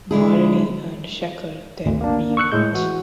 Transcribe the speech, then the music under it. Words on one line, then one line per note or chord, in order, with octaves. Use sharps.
Malini and Shekhar then reunite.
D3 G#3 E4 G#4
G#1 D2
A#3 D4
C#6 E6 F#6 C#7
A2 G#3 G6
E3 F#4